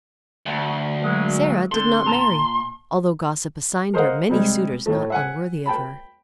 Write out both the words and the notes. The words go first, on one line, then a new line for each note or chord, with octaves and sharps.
Sara did not marry, although gossip assigned her many suitors not unworthy of her.
D2
F#3 G#3 A#3
D3 C4 A4 C6
A#2 A5 A#5
A#4 C5 D#5 F5 F#5
C3 G3 G#3
A2 A3
E5 F#5 G#5
G5 A5 B5